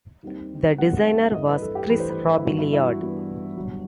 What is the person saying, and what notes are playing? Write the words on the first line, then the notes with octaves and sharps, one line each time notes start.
The designer was Chris Robilliard.
D#2 D#3 G3 C4
D#2 D#3 G3 C4 F#5
E5
A1 G2 E3 A3 D#5
B4
A4
G4
A1 G2 E3 A3 B4
C5
B4
E4
G2 E3 B3 F#4
E4
E4
F#4
G2 E3 B3 F#4
G1 G2 F#3